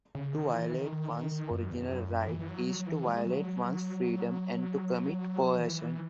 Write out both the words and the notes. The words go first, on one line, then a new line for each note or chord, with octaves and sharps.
To violate one's original right is to violate one's freedom and to commit coercion.
C#3
D#3
E3
D#3
D#3
D#3
D#3
F#2
E2
F#2
F#2
E3
E3
F#3
F#3
F#3
E3
G#3
F#3
E3